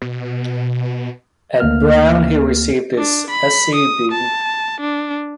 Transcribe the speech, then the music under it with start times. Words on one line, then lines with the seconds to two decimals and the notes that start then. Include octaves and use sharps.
At Brown, he received his Sc.B.
0.02 B2
1.60 D2 A#3 F6
2.98 D4
3.30 B5
3.75 D#6
4.12 A5
4.81 D4